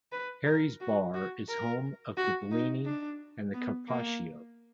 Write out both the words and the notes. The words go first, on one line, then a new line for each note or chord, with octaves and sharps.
Harry's Bar is home of the Bellini and Carpaccio.
B4
A#4
F#4
F#4
A#4
F#4
D#4
D4
B3
A#3